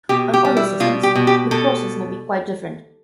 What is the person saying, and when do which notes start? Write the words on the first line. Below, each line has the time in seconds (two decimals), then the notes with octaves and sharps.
On other systems, the process may be quite different.
0.09 B2 G4
0.34 G4
0.45 G3
0.57 E4
0.80 B2 F4
1.03 G4
1.15 B2
1.27 G4
1.51 B2 A4